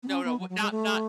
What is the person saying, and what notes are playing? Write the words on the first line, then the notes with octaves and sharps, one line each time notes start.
No, no, w not not
B3
C#4
B3
F#3
F#3
G#3
A3